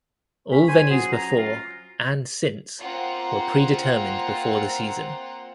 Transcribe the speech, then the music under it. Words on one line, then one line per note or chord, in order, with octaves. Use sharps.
All venues before, and since, were predetermined before the season.
C#4 B5
C#4 C5 G#5
F#3 G#4
A#5
F4
A#3 C4 F4 C5 F#5 A#5